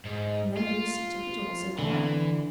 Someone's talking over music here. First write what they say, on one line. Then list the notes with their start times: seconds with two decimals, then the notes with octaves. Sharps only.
And then Lucy took it all so quietly.
0.05 G#2
0.57 F4
1.79 D3 E3